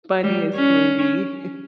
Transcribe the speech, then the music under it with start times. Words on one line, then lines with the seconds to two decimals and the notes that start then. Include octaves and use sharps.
funniest movie.
0.24 G3
0.55 C#4